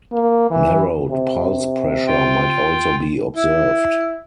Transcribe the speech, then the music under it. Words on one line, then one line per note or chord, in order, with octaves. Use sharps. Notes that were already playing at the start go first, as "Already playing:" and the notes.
Narrowed pulse pressure might also be observed.
A#3
E3
C3
F4 G5
E4